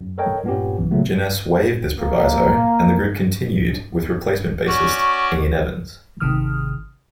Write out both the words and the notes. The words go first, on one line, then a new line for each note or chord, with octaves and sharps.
Jenness waived this proviso, and the group continued with replacement bassist Ean Evans.
F#2
A4 A#4 C#5 D#5 G5
G2 A#2 B3 C#4 G4
B1 E3
A#2 C#3 F#3 A3 B3
A#3
C#4 F#4 D5 C#6
G#1 C3 D#3 D#6 F6